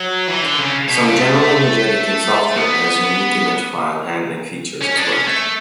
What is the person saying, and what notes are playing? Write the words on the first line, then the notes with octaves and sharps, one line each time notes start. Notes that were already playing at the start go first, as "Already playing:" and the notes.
Some general image editing software has unique image file handling features as well.
Already playing: F#3
E3
D3
C#3
B2
C#3
A3
B3
C#4
D4
C#4
A3